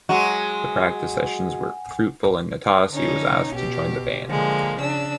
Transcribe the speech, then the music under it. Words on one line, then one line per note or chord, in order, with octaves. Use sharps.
The practice sessions were fruitful and Nastasi was asked to join the band.
F#3 G#3 F#4 F#5 G#5
D3 C#4 D#4
B2 G4
D3 F3 G#3 A#3
C#3 D4 E6